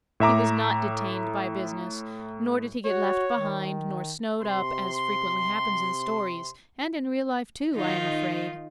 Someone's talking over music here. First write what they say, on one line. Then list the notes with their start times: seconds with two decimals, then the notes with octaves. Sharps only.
He was not detained by business, nor did he get left behind nor snowed up, as frequently happens in stories, and in real life too, I am afraid.
0.20 A2 E5 A#5 D6
2.85 F#4 C#5
3.34 D#3
4.41 C3 C6
7.76 D#3 D#4 F4